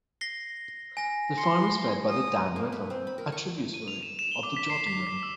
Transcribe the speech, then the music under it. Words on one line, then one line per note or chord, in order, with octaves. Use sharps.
The farm is fed by the Dan River, a tributary of the Jordan River.
A#6 C7 G7
G#5 A#6
C6 C#7
D#6
A#3
B4
C4
B5
A#4
C#6
D#7
F7
E7
E7
G7
D6
B6
C7
B6
B6
E6